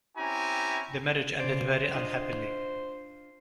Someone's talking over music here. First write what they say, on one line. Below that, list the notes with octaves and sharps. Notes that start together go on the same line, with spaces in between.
The marriage ended very unhappily.
C4 C#4 E4 G4 G#5 A#5
C#3 C5 D5
D4 F4 D#5